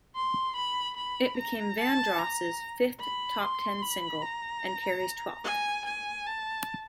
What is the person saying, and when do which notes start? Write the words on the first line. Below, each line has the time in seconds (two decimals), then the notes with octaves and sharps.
It became Vandross's fifth top-ten single and Carey's twelfth.
0.15 C6
0.56 B5
0.97 B5
1.37 A#5
1.78 A5
2.18 A#5
3.00 B5
3.41 C6
3.81 B5
4.21 A#5
5.44 G#5
5.85 G#5
6.26 A5